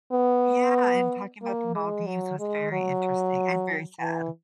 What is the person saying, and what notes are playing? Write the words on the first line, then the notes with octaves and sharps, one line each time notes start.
Yeah, and talking about The Maldives was very interesting and very sad.
B3
A#3
G#3
F#3
G#3
F#3
E3